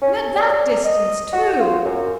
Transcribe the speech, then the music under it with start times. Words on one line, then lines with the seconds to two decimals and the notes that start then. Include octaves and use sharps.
And at that distance, too!
0.02 C#4
0.36 D5
0.85 D#5
1.33 F#4
1.60 F4
1.85 F#2